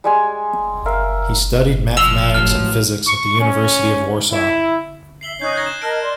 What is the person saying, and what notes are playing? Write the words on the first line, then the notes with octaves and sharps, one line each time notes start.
He studied mathematics and physics at the University of Warsaw.
G3 G#3 G#5
A#4 E5 F5
B2
F3 E6 F7
A1 F#3 F6
C#6
C#4
E4
E5 C7 F#7 G7
C#4 D#4 C#5 F#6 G6 C7
F#6 G#6 A#6
C7 E7
A#4 D#5 A5 F6 F#6 D7
D5 C6